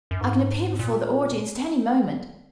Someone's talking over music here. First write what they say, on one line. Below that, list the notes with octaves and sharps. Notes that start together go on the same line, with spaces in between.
I can appear before the audience at any moment.
F#2
G#2
A#2